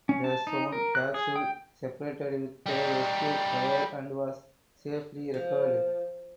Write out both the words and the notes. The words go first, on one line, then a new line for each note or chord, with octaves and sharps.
The Zond capsule separated with the escape tower and was safely recovered.
C#4
A5
D#4
A#4
F#6
G#4
G5
G3 D#4
F3